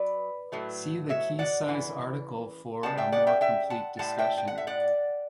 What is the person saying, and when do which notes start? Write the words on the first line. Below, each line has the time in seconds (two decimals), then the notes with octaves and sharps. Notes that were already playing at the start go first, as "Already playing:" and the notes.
See the key size article for a more complete discussion.
Already playing: F#3 B4 D5
0.52 A2 F#3 A3
1.09 C#5 E5
1.39 D5 F#5
1.68 C#3 E3
2.83 C#3 G3 F#5 A5
2.98 E5 G5
3.12 D5 F#5
3.27 E5 G5
3.41 E5 G5
3.70 F#5 A5
3.99 A2 G3 F#5 A5
4.18 E5 G5
4.38 G5
4.48 F#5
4.58 E5
4.67 D5 F#5